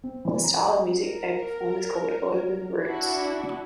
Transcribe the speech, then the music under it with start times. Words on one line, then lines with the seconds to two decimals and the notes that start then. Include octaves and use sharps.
The style of music they perform is called urban roots.
0.04 C4
0.25 E3
0.44 A#5
0.58 D#5
1.01 A#4
2.83 D4 E4 F#4